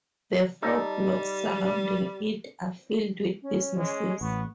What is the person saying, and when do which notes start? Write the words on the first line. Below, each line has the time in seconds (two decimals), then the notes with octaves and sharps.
The four blocks surrounding it are filled with businesses.
0.62 G3 D#4 A4
3.42 C#4
3.77 G#3
4.21 A1 A2 B3 C#6